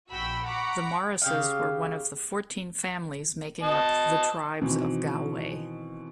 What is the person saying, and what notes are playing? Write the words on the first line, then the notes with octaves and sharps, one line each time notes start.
The Morrises were one of the fourteen families making up 'the Tribes of Galway'.
A#1 F#4 G5 B5 E6
F#5 A#5 B5 C#6 D6
C#3 G4 F5
D#5 A5
B2 D#3 E3 C4